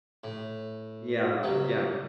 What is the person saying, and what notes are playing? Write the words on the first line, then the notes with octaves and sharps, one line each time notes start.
Yeah, yeah.
A2
C#2 C3 F#3